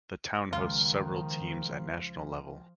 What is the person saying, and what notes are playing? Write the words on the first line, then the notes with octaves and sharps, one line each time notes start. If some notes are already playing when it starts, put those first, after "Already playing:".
The town hosts several teams at national level.
C#2 D#3 F3 F4 F5